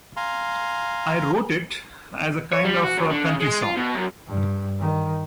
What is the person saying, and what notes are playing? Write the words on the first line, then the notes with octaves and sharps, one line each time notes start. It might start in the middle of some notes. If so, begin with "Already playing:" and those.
I wrote it as a kind of a country song.
F5 G#5 A#5 C6
C#5
G3
F#4
F#2
D3
C#3
G#3
F4
B2
F#2
G2
D#3